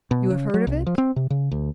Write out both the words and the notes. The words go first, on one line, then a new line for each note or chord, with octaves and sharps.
You have heard of it?
B2
C#3
F#3
C2
F3
C4
C3
C#3
D2